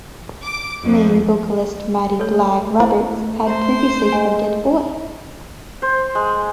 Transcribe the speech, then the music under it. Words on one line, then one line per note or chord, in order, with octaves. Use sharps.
Main vocalist Matty 'Blagg' Roberts had previously fronted Oi!
D6
F2
A3 A4 C#5
E4 C5
C5 E5 A#5
G#3 A3 G#5
C5
G#3